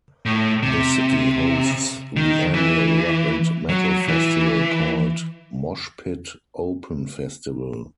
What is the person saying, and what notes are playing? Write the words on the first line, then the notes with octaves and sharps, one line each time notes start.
The city hosts the annual rock- and metalfestival called Moshpit Open Festival.
A2
C3
D#3
E3
F#3
E3